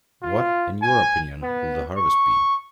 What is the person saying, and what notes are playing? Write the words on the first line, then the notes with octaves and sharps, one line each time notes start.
What, in your opinion, will the harvest be?
F4
G#5
B3
C#6